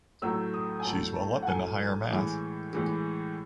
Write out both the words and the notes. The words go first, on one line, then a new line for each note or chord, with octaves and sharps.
She's well up in the higher math.
A2 F#3 A3 E6
D#6
G#5
A2 F#3 A3 A5
A5
F#5
A2 F#3 A3 G#5
A2 E3 G#3
A2 E3 G#3